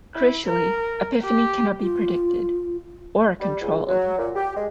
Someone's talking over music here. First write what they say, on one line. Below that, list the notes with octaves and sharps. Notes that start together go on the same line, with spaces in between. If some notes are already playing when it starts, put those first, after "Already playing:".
Crucially, epiphany cannot be predicted, or controlled.
E4
A#4
G4
F4
G3
C#2
F#3
A#2
G4
G#3